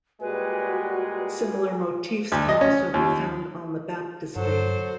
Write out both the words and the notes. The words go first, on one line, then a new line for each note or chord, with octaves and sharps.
Similar motifs can also be found on the baptistery.
A#2 G3 G#3 F#4 G#4 B4
D2
D#5
C#4
D#2
G2 F#3 A4 C5